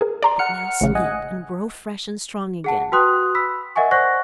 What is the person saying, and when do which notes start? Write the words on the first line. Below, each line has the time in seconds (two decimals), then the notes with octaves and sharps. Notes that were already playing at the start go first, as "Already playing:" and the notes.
But now sleep and grow fresh and strong again.
0.01 G#4 A#4
0.23 D5 A#5 C6
0.39 F#5 F6 C#7
0.81 A1 C#3
0.95 D#5 F#5 G#5
2.64 G#4 F#5 A5
2.92 F#4 B4 G5 C6 D#6 F#6
3.35 B5 E6 B6
3.76 A#4 D#5 E5 F#5 G#5 C#6
3.91 C5 D5 F#5 C#6 F#6 A#6